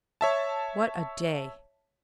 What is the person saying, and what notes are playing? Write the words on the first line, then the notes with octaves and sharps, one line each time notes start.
What a day!
C#5 E5 A5